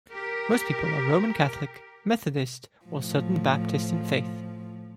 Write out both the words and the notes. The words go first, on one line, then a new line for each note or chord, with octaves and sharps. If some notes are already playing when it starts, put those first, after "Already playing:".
Most people are Roman Catholic, Methodist, or Southern Baptist in faith.
G4 A#4
A2 F3